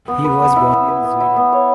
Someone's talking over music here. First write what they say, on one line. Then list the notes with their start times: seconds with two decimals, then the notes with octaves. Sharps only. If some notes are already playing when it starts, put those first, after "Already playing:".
He was born in Zuilen.
0.08 B3
0.24 B4
0.40 B3
0.56 E4
0.72 B3
0.88 B4
1.04 B3
1.20 E4
1.36 B3
1.53 C#5